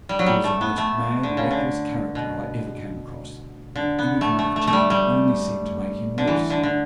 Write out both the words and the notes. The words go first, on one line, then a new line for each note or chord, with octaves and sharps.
He was the most mad, reckless character I ever came across, and any kind of checking only seemed to make him worse.
G3
F#3
G3
A3
B3
A3
D3
C#3
D3
B2
D3
B3
A3
A3
A3
A3
G3
G3
D3
E3
D3
D3